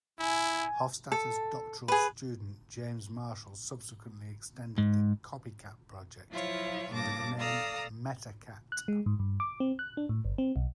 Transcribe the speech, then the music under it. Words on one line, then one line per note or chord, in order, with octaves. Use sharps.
Hofstadter's doctoral student James Marshall subsequently extended the Copycat project under the name "Metacat".
E4 G#5
A4
G#4 B4
G#2
F3 F#3 E4 F4 C#5
G2 C#3 A#3 A5 D6 A#6
A4 D5 F5 A#5 D#6 E6
F#6
G#3
G#2
G2
D6
C4
F#6
D4
A2
G1
C4
B1